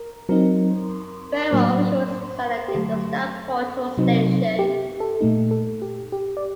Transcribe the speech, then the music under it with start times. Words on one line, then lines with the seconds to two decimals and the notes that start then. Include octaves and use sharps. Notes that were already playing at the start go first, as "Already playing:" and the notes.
Railroad officials designated the stop Hutto Station.
Already playing: A#4
0.29 F#3 C4 D#4 A#4
1.51 A2 F#3 A#3 D4 C5
2.68 G4
2.75 D3 F#3 A3 A4
3.98 C3 F#3 C4 D#4
4.59 G4
5.00 A4
5.21 A#2 A3 D#4
5.51 A4
5.82 G4
6.12 G4
6.37 D5